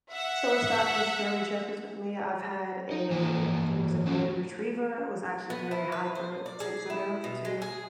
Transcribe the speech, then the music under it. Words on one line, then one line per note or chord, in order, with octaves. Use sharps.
So, it's not just German Shepherds with me. I've had a I think it was a golden retriever. It was actually very hypersensitive too.
E5 F#5
D#4
E3 F3 A#3 G#5 A#5
A3 B3 C#4 F#4
B3
E4
B4
C5
D5
G#4
E4
B2
G#3
G#4